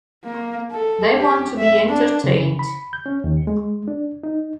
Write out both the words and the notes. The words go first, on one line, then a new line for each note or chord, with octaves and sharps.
They want to be entertained.
A#3
A4
G4
E5
D4
C#3
B5
G6
C#4
D#2
G#3
D4
D#4